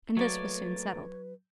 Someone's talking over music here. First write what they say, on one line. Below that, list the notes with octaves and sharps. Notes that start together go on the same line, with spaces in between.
And this was soon settled.
F#3 A3 A#3 B4 C#5 D5